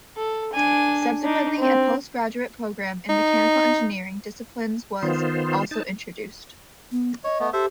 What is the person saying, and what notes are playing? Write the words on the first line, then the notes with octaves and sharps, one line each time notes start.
Subsequently a post-graduate program in mechanical engineering disciplines was also introduced.
A4
D4 G#5
D4 D#4
C4
D#4
D#3 B3 F4 C5
D#4 A5
B3
C#5 D#5
A3 B3
G4 A4 C5 E5